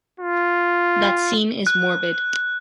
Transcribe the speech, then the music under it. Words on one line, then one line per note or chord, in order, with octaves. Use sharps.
That scene is morbid.
F4
F#6